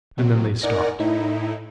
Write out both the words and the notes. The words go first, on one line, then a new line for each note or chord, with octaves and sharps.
And then they stopped.
C3 F#3
D#4 A#4 D5 F#5 G#5 A#6
A2 D#4 E4